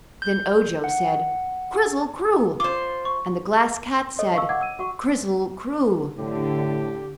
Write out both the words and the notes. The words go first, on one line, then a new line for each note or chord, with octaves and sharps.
Then Ojo said "Krizzle-Kroo!" and the Glass Cat said "Krizzle-Kroo!"
G6
F#5
F4 C5 D6
C#6
A4 C#5 D#5
D#4 F5 C#6 E6
F#5 D6 G#6
E6 D#7
F#4 F#5 C#6
A2 D3 G4